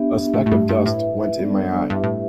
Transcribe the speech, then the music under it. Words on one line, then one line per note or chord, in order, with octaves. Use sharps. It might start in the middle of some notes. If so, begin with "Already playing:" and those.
A spec of dust went in my eye.
Already playing: B3 D4 G4 E5
A2 A3 G4 E5
A2
G2
G2
A2 E4 B4 E5
G3 B3 D4 A4 D5
G2 E4 G4 B4 E5
A2